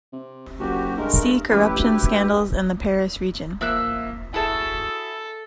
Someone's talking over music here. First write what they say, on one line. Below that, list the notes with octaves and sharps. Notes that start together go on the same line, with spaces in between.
See corruption scandals in the Paris region.
C3
F#1 F#4 G4
G2 G#3 A3 A#4
A1 E4 G4 B4
D2
F3 A#3 E5 E6 F#6
E4 F#4 G#4 A4 E5 A5